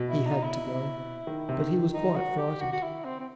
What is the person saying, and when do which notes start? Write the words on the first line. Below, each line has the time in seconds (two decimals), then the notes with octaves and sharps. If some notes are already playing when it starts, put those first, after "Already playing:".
He had to go, but he was quite frightened.
Already playing: B2
0.10 E4
0.27 D#4
0.43 E4
1.27 D#3
1.49 C3
1.60 D#3
1.93 D#4
2.16 F#4
2.38 G4
2.60 F#4
2.72 F#4
2.82 E4
3.05 C4
3.20 C4